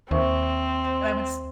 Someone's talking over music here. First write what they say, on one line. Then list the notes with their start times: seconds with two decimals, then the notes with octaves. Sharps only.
And I would s
0.11 D#2 C4 C5 E5 C#6